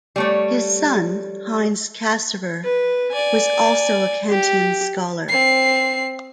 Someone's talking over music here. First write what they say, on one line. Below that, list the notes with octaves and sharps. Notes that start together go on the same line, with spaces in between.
His son, Heinz Cassirer, was also a Kantian scholar.
G3 A3 C#5
B4
D5 G#5
G4
C4 C7